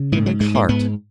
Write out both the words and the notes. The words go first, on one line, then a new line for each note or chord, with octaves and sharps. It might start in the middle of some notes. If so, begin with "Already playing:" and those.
In the cart.
Already playing: C#3
G#2 E3
F#3
G#2 G#3
A#3
G#2 B3